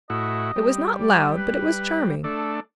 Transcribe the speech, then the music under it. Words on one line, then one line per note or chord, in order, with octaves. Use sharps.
It was not loud, but it was charming.
A2 E4 F#4 D#5
G3
D5
B4
A3 D4 A4